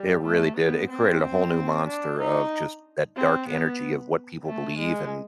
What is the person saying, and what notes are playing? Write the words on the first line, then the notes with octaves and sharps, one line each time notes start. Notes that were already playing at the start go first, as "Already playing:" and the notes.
It really did. It created a whole new monster of just that dark energy of what people believe and
Already playing: G3
A3
B3
C4
D4
D#4
C4
B3
A3
G#3